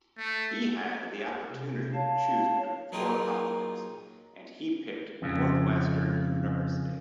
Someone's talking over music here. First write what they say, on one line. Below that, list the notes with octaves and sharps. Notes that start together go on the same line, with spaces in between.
He had the opportunity to choose between four colleges and he picked Northwestern University.
A3
C3
C#5 F5 A5
F#3 A#3 D#4 F4 G4 G#4
F2 C#3